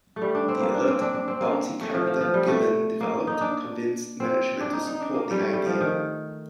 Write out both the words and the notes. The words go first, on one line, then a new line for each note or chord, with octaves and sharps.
The alert, bouncy character Gillen developed convinced management to support the idea.
A3
G3
D4
C4
A#3
D4
C4
D4
D4
C4
A#3
A3
F3
F3
F3
G3
A3
A#3
D#4
D4
C4
D4
D#4
D#4
D4
A#3
G3
A3
G3
F3
D#3